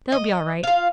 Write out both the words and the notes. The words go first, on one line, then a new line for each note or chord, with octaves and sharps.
'They'll be all right.
D#5
F4 F5